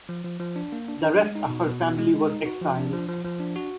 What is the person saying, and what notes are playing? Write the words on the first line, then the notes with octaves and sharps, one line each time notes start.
The rest of her family was exiled.
F3
F3
F3
D4
A#3
D4
D4
G#3
D#4
B2
B2
B2
G#3
G#3
D#4
F#4
F3
D4
F3
F3
F3
D4
F#4